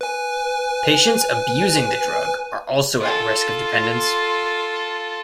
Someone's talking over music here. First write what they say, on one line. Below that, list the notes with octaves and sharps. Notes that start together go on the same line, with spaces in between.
Patients abusing the drug are also at risk of dependence.
B4 G#5
F4 A4